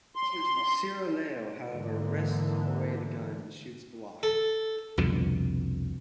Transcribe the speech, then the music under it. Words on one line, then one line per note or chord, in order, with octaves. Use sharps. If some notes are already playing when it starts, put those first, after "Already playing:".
Siroleo, however, wrests away the gun and shoots Block.
C6
G#2 D3 E3 A#3
A4
C2 F2 B2 D3